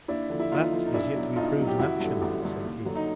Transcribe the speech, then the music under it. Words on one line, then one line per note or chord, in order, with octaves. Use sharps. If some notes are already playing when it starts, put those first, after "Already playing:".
"That is yet to be proved in action," said he.
D#2 D4 E4
D3 F3
E4
D#2 D#4 F4
D3 F3
D#4
B1 D4 E4
B2 F#3
B1 D#4 F4
B2 F#3
G4
A1 E4 F#4
G2 D3
A1
G2 D3
D#2
D3 F#3
D#4